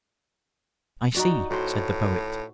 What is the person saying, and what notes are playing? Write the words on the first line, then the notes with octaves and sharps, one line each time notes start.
"I see," said the Poet.
D#4 F#4 D5
A2 F#4 C5